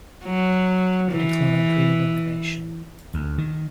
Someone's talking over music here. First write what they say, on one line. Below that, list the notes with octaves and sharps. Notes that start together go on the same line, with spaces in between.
He declined renomination.
F#3
E3
D2
D#3